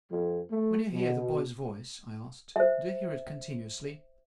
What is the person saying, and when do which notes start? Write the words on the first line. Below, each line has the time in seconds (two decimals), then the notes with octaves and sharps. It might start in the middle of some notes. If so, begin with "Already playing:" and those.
"When you hear the boy's voice," I asked, "do you hear it continuously?"
0.10 F2
0.51 A3
0.93 B2
2.56 C5 E5